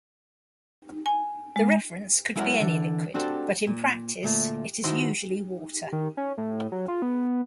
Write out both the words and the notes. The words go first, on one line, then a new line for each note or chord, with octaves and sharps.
The reference could be any liquid, but in practice it is usually water.
G#5
G#3
F#3 G#3 E4 A#4 C#5 F#5
D3 E3
C4 D4 F#4 G4 A4 C5
A#2
D2 A#2 A3
D#3 D#4 E4 F#4 C5 C6
D#3
C#4
A2
F#3
F4
B3